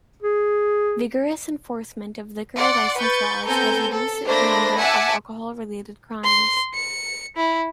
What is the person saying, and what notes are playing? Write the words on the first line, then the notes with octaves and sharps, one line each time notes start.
Vigorous enforcement of liquor license laws has reduced the number of alcohol-related crimes.
G#4
D5 F#5 C6
B4 C#6 G6 A6
B3 C4 A4 G#5 A#5 G6
A4
A3 A#3 D4 C5 B5 A#6
E5 F#5 G#5 A5 D6 E6
C6
C#7
E4